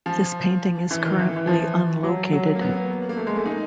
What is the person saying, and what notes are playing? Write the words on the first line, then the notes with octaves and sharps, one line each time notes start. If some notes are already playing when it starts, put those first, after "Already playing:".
This painting is currently unlocated.
F3
E3
D#3
E3
E3
F3
F#3
F#3
A#3
B3
A#3
A#3
A3
G#3
A3
D#4